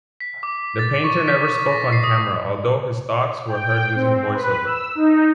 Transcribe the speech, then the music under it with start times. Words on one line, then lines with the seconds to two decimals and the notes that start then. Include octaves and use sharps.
The Painter never spoke on-camera, although his thoughts were heard using voice over.
0.20 B6
0.43 D6
0.79 A6
1.04 C#6
1.28 B6
1.69 A#6
1.92 C7
2.04 D#6
3.48 G5
3.95 C4
4.34 B4
4.65 E6
4.95 D#4